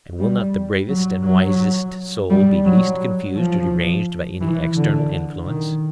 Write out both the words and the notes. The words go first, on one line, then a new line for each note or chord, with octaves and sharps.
And will not the bravest and wisest soul be least confused or deranged by any external influence?
G3
F#3
F#3
G3
F#3
F3
E3
D3
D#3